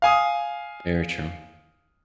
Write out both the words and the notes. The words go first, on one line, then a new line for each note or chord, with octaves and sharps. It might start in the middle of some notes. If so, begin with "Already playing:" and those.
Very true.
F5 G#5 D#6